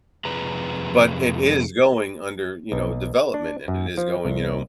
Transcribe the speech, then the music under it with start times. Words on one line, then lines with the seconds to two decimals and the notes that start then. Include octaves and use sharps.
but it is going under, you know, development, and it is going, you know
0.25 F2 C3 G#4 B4 A#5
2.72 B1
3.34 D4
3.68 F#2
3.97 F3
4.25 C2